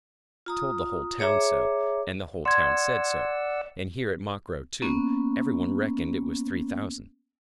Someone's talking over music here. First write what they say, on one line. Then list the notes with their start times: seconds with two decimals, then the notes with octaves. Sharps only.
I told the whole town so, and the whole town said so. And here, at Mokroe, too, every one reckoned it was three thousand.
0.46 F4 A#5 D#6
1.19 G#4 C#5 E5 A#5 D6
2.45 D5 F#5 C6 E6 G#6
4.82 A#3 B3 C#4